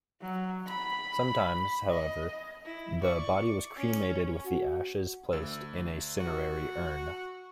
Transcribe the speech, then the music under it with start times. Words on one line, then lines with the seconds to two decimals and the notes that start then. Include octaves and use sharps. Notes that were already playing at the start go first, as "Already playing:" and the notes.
Sometimes however the body was cremated with the ashes placed in a cinerary urn.
0.21 F#3
0.68 B5
1.91 D#5
2.65 E4
3.02 D5 C#6
3.77 C#4
4.45 F#4
5.32 D2 E6
6.20 F#4